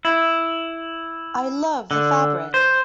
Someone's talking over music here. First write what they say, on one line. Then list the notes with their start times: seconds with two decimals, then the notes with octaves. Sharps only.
I love the fabric!
0.05 E4
1.91 D3
2.54 C5